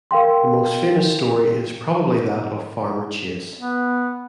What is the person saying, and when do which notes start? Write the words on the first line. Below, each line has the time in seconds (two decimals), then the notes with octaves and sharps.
The most famous story is probably that of Farmer Chase.
0.11 A#4 F5 G5 C6
3.60 B3